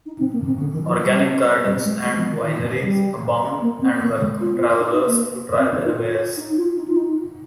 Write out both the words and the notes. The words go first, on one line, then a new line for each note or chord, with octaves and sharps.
Organic gardens and vineries abound and welcome travelers to try their wares.
D#4
C4
A#3
C4
D3
D#3
F3
G3
G3
G#3
G#3
F3
D#3
G3
A#3
C4
A#3
G#3
F4
D#4
A#3
C4
D#4
F4
D#4
F4
D#4
F4
D#4